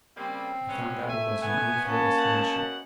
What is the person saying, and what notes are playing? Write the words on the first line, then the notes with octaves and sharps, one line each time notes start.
I found that it was an unfair estimation.
C#3 G3 A#3 C4
G#3 B3 C#4
A3 E5 G#5
B3 G#5
A#3 C#4 A5
F#2 B2 F#5